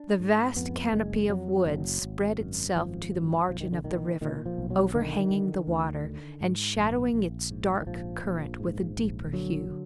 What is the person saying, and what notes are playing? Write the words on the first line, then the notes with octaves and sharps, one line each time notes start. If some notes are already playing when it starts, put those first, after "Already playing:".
The vast canopy of woods spread itself to the margin of the river, overhanging the water, and shadowing its dark current with a deeper hue.
Already playing: D4
G#2
F2 B3
F#1 G#3
F2 F#3
F#1
G#1
F#2
G#1 F3
F#2
B1 F3
D#3
D3
A#2 D#3
A#2 D#3
D#3
F3
B1
F#3
D3 D#3
D3
D2
D3
G#2
A#1
A#1
G#2
D#3
A#1 F3
A#1
G#2
A#1
D3 F#3
D3